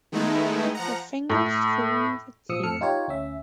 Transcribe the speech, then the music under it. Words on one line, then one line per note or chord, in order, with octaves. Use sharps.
She put her fingers through the tear.
D#3 G#3 A3 B3 D#4 E4
F3 F#5 A#5
A2
A#1 F3 D#6 E6 C#7
F2 A2 A4 E6 F6 C#7
D#4 F4 G4 C#5
D2 C#4 E5